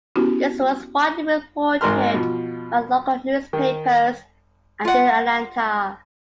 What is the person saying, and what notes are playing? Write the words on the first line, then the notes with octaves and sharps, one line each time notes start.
This was widely reported by local newspapers and in Atlanta.
B3 C#4 E4 F#4 G4
G#1 G#2 A#4 C6 F6
B2 F3
D#3
F4 F#5